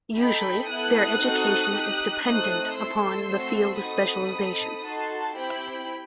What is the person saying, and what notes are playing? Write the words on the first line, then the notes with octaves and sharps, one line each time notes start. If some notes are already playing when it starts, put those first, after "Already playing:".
Usually their education is dependent upon the field of specialization.
D#4 A4 G5 B5
B3 E4 A4 D#6 F#6
C4 D#4 F#4 A4
D#4 G4
A3 C4 D#4 A4 D#6 F#6
A3 E4 A4 C6 E6
A3 C4 F#4 A4
C4 D#4 F#4 A4 B5 D#6
C4 D#4 A4
D#4 F#4 A4 A5 C6
C4 E4 G4 G5 B5